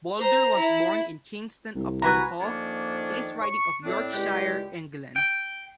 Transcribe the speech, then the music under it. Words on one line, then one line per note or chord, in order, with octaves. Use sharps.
Bolder was born in Kingston upon Hull, East Riding of Yorkshire, England.
C5 A#5
E4
C2
F#4 B4 G#5 A#5
F2 D#3 F3 A#3 C#4 D4
C#6
A2 C4 D4
C#2 G3 G#3 E4 G4
G5